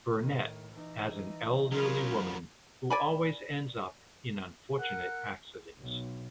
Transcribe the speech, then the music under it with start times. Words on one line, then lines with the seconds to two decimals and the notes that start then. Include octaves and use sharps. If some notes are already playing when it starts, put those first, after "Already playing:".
Burnett as an elderly woman who always ends up in unfortunate accidents.
0.18 A2 D#3
0.72 E3 D#4
1.71 F#3 C#4 F4 A#4 B5
2.90 D5 G#5 B5
4.78 A#4 F#5 E6 F#6
5.80 B1